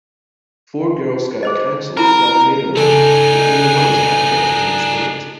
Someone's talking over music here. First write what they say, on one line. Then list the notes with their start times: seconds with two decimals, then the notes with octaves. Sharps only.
Four Girl Scout Councils serve Maryland but only one is headquartered in the state.
1.43 G#4 C5 D#5
1.97 E4 A#4 A#5 B5
2.77 C#3 D4 D#4 A4 G#5